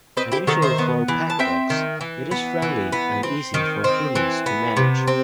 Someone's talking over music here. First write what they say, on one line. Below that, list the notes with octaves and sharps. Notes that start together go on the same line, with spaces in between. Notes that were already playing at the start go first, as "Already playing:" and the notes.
Unusual for pack dogs, it is friendly and easy for humans to manage.
C4 B4 D#5
E4 G4
D#3 F#4 A4
C5 E5
B3
E3
A5
C4 E5 G5
D#3
E3
B3
E3
B3
C4
D#3
C4
E3
B3
C3
C4